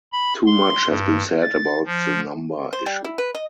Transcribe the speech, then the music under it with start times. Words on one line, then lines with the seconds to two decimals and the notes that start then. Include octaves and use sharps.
Too much has been said about the number issue.
0.13 B5
0.46 C6
0.88 G2
1.42 A6
1.85 F3
2.73 C5
2.86 G3
3.04 E4
3.18 B4
3.35 D#5